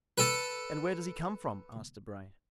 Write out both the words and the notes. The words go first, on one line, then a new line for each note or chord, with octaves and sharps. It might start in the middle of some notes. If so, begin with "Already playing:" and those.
"And where does he come from?" asked Debray.
A4 B4